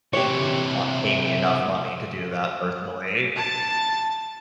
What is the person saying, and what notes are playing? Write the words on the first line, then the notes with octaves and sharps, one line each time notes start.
you cannot pay me enough money to do that, personally.
C3 E3 G4 C#5
A5 A6